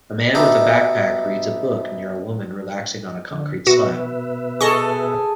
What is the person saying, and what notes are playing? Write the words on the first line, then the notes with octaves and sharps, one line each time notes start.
A man with a backpack reads a book near a woman relaxing on a concrete slab.
B2 A3 D#4 G4 A4
D3
B2 F#4 B4 E5
G#4 A4 D#5 C#6